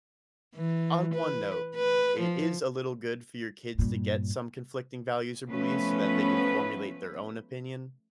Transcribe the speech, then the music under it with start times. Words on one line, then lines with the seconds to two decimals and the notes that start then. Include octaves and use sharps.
on one note, it is a little good for your kids to get some conflicting values or beliefs so, that they can formulate their own opinion,
0.55 E3
1.14 B4
1.75 B4
2.20 F3
3.79 G2 A#2
5.48 F3 A3 B3 C#4 B4